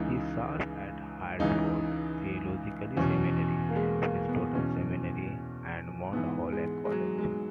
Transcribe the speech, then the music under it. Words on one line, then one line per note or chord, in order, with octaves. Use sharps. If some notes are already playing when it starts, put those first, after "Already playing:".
He served at Hartford Theological Seminary, Princeton Seminary, and Mount Holyoke College.
Already playing: C#2 C#3 E3 D#4
C#2 C#3 E3 D#4
E2 B2 C#4
A#3
G#3
A#3
B3
E2 B2 C#4
G#2 E3 B3
G#3
G#3
F#3
G#3